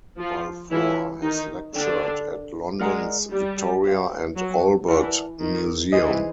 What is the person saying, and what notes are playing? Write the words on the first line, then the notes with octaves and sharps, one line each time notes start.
Balfour has lectured at London's Victoria and Albert Museum.
F3 F4
E3 E4 F4 A4 C#5
D#3 D#4
D3 D4 G4 A#4 D5 G5
G#3 A#4 D5 F#5 A#5
G3
G4 C5 F5
F#3
E3 A#4 D5 F#5 A5
D#3
E3 D#4 G#4 C5 D#5